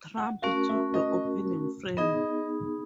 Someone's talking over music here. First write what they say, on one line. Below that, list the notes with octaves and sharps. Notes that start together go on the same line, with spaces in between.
Trump took the opening frame.
F#5
A3 C#4 F#4 A#4 F5
E5
D#5
B3 D#4 G#4 D#5